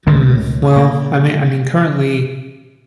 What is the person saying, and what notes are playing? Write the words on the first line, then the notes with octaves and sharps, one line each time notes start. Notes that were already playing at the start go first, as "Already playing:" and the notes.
Hmm, well, I mean I mean, currently,
C#2 A2 D#3 A#3
A#2 A#3